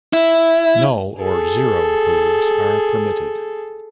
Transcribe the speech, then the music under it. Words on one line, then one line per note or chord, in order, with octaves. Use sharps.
"Null" or "zero" moves are permitted.
E4
G#4 A4